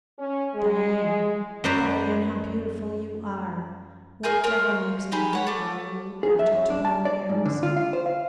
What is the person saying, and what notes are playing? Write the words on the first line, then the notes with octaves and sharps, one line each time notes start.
Diane, Diane, how beautiful you are!... What devil makes me hate Raoul after twenty years?
C#4
G#3
F#2 B4 C5 D5 A#5
G#4 A#4 G#5 G6
A#4 C5 C#5 F5
D#4 G4 G#4 B5
C#5 F#5
A3 D6
G#4
E5
F#2
D4
A5
D5
G#2
D3
F4
F5
C5
F5